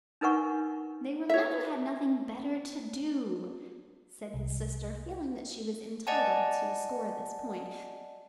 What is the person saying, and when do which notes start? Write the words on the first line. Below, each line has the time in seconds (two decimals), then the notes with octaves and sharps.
"They were men who had nothing better to do," said his sister, feeling that she was entitled to score this point.
0.21 D4 D#4 A#4 B4 F#5 C#6
1.29 C#5 E5
4.34 C2
6.07 D5 D#5 F#5 G#5 A5